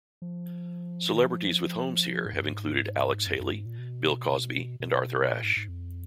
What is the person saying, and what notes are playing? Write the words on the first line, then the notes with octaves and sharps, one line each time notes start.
Celebrities with homes here have included Alex Haley, Bill Cosby, and Arthur Ashe.
F3
D#3
F3
G#2
F#2
G#2
F#2
F#2
G#2
A#2
B2
B2
A#2
G#2
G#2
F2